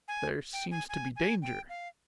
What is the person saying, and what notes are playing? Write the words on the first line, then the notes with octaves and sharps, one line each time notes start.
"There seems to be danger."
G#5
G5
G#5
G#5
G#5
G5
F5